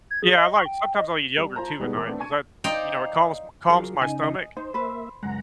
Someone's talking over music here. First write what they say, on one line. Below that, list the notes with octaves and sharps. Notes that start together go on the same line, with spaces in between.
Yeah, I like sometimes I'll eat yogurt too at night 'cause I you know, it calms calms my stomach.
G#6
G#4
D#5
C#6
G5
D#5
G3
F4 C5 A5 A#5
B2 G3 G#3 B3 D#4
A#2 E3 A#3 A#4 D6
A3 B3 C4 D4
G#5 A5 C#6 G#6 D#7
D#4 C5 D5 F5 G5 A#5
F#3 F4 G#4 A#4
C#3 D#4 G#5
D#5
D#4 C5
A#3 B4 C5 E5
C#2 F#2 G#3 F#5 A#5